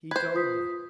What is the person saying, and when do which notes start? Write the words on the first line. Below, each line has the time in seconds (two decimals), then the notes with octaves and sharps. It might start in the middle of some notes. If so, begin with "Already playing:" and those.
He told me.
0.11 B4 C5 G#6
0.34 F4 D#6 B6